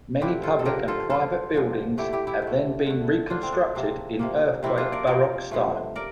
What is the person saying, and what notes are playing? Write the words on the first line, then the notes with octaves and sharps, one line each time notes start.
Many public and private buildings have then been reconstructed in earthquake Baroque style.
G2 D3 F3 E4 G4
F4 A4
A4
G2 D3 F3 G4 A#4
F4 A4
G2 D3 F3 F4 A4
G2 D3 F3
D3 A3 E4 G4
E4 G4
E4 G4
D3
A3
D3 A3
D3 A3 D4 F4
C4
D4
C3 F3 A#3
C3 F3 A#3
C3 F3 A#3 C4 E4
D4 F4
A#4 D5
C3 F3 A#3 A#4 D5
G2 F3 A3
A#4 D5